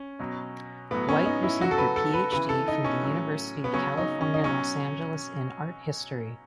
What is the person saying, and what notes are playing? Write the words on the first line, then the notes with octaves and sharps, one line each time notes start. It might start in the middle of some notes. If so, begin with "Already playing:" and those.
Wight received her PhD from the University of California Los Angeles in art history.
Already playing: C#4
B2 F#3
A2 F#3 B3
C#4
D#4
E4
C#3 F#3 F#4
A4
B4
A4
B4
C#3 E3 B4
A4
D#4
C#4
A2 F#3
B3
C#3 F#3 C#4
D#4
C#4
D#4
B2 F#3 C#4